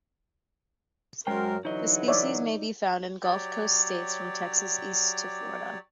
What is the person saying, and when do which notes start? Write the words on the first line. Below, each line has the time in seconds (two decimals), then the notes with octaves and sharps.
The species may be found in Gulf Coast states from Texas east to Florida.
1.27 F#2 G#3 A#4 C5 G5
1.65 D3 E3 F#3 D#4 D#5
2.08 C#5 D5 E5
3.23 F#3 G4 C#5 D5